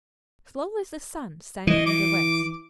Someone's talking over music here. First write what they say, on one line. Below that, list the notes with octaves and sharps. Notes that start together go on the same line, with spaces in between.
Slowly the sun sank in the west.
E3 D#5
D6